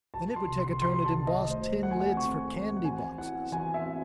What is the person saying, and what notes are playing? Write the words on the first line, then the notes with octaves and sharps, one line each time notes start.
Then it would take a turn at embossed tin lids for candy boxes.
C2 A5
C6
C3
C6
C2 C6
A5
D#3
D#5
A3 C5
A3 F#5
G#5
F#5
C4 C#6
C4
F#5
E3 G#5
E4 F#5
E3 G#5
E5
C4